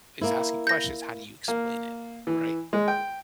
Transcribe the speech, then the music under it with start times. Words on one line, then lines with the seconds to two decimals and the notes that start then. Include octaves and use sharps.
is asking questions, how do you explain it, right?
0.21 A#3 E4
0.67 G6 A#6
1.48 A#3
2.27 E3
2.73 G#3
2.88 G5